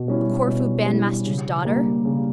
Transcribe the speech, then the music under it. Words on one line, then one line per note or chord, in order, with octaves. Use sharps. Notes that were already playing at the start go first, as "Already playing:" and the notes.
A Corfu bandmaster's daughter!
Already playing: B2
G3 C#4 E4
B2
G3 C#4 E4
C#3
G3 A#3
C#3